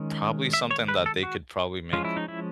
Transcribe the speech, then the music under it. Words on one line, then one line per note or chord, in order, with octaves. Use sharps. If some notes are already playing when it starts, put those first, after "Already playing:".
probably something that they could probably make
Already playing: D#3 G#3 C#4
E5
C#5
B4
A4
F#4
F3 G#3 C#4 F4
E4
D#4
E4